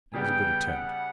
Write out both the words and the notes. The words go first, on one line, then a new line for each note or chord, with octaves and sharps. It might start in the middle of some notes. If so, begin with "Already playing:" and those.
It was a good attempt.
C#3 G3 B3 G5
F#5